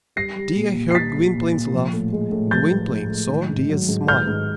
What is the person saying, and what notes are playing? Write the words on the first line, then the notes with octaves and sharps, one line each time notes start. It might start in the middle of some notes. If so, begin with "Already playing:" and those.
Dea heard Gwynplaine's laugh; Gwynplaine saw Dea's smile.
G3 A#6 C7
G3
A#2
A#2
C7
G3 A6 B6
G3
A#2
A#2
F3
A2
G#3
A2
F3 G6 A6
A2
G#3
A2
D#3
G#2
F#3
G#2
D#3 F6 G6
G#2